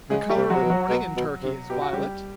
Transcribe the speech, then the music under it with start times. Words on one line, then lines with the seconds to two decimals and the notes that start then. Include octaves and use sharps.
The color of mourning in Turkey is violet.
0.10 C#3 G#3 G#4
0.29 G3 G4
0.36 C3
0.50 C3 F#3 F#4
0.63 B2
0.70 F#3 F#4
0.89 B2
1.17 B2
1.43 C3
1.70 B2 G4
1.82 F#4
1.93 C#3 G3 G4